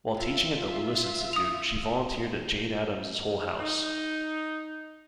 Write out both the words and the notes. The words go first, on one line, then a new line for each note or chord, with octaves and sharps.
While teaching at the Lewis Institute, she volunteered at Jane Addams' Hull House.
F4 E5
D#6 F7
D#4